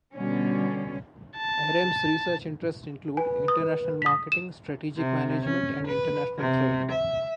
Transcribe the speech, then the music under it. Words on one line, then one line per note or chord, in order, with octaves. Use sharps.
Erem's research interests include international marketing, strategic management and international trade.
B2 D3 G3 C#4
A5
B4 G#5
D#6
D#6 B6
E7
C3
C#4
B4
C3
E5